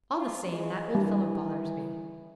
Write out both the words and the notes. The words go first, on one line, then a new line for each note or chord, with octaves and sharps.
"All the same, that old fellow bothers me."
F4
G#3
E3 G3